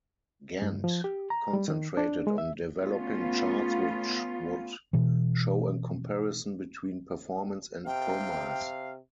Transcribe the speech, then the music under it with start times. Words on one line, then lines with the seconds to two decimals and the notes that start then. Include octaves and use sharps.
Gantt concentrated on developing charts which would show a comparison between performance and promise.
0.62 G2
0.84 F3
1.04 G4
1.30 A#5
1.53 G3
1.68 D#3
1.97 D4
2.27 G#3
2.38 E5
2.81 A3 B3 C#4 F4
4.93 B2 E3
7.86 C3 F5 G5